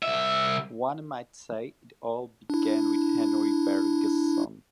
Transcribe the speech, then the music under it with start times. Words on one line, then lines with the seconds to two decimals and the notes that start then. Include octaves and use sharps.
One might say it all began with Henri Bergson.
0.03 C2 E5
2.50 D4 E4